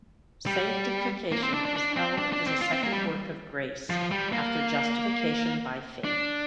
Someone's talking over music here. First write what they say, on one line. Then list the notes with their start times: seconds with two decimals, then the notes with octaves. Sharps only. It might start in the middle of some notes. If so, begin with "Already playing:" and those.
Sanctification is held as a second work of grace after justification by faith.
0.46 G3
1.32 A#3
1.43 C4
1.54 D4
1.65 D4
1.76 D4
1.97 C4
2.18 D4
2.33 D4
2.47 C4
2.62 F4
2.72 C4
2.83 A#3
2.93 G3
3.90 F3
4.12 G3
4.33 A#3
6.04 D4